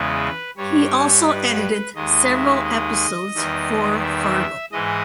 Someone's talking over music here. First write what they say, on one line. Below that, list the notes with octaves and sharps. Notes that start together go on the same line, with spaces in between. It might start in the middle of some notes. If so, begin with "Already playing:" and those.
He also edited several episodes for "Fargo".
Already playing: E2 C#3 G#3 B4
G2 G3 C#5
B4
D#2 D#3 G#3 D#5
E5
D#5
E2 D#3 G3
E5
G#2 E3 G#3 D#5